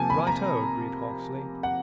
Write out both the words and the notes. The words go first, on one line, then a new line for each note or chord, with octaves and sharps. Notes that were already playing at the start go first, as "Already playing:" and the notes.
"Right-o!" agreed Hawksley.
Already playing: C3 F3 A#3 G#5 A5
B5
A#5
F#5